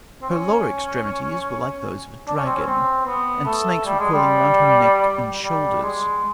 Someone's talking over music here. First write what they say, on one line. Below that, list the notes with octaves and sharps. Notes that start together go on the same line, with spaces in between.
Her lower extremities were like those of a dragon, and snakes were coiling round her neck and shoulders.
C4
C#4
D4
C#4
C4
C#4
C4
B3
A3
G3
G#3
G3
G3
G#3